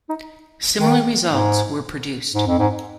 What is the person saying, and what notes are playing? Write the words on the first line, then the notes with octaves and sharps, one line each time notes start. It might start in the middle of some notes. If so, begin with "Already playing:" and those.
Similar results were produced.
D#4
D#3
G#2
G#2
F2
G#2